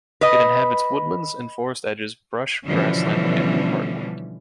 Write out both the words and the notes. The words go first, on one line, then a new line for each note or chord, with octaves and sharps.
It inhabits woodlands and forest edges, brush, grassland, and parkland.
B4 D#5
B2 D3 E3 F3 G3 C#4